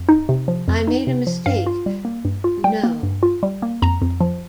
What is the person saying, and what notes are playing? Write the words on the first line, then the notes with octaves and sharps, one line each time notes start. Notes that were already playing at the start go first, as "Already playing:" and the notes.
I made a mistake, no...
Already playing: F2
D#4
C3
F3
F2
D#4
C3
F3
G2 F5
F4
G3
A#3
G2
F4
G3 G5
A#3
G2
F4
G3
A#3
F2 A#5
F2
F3